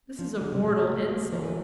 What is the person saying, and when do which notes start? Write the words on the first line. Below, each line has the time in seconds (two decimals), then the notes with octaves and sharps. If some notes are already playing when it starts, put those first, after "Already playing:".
"This is a mortal insult!"
0.19 F3
0.41 D3
0.52 C3
0.64 A#2
0.79 A3
0.94 A3
1.09 A#3
1.33 F3
1.43 E3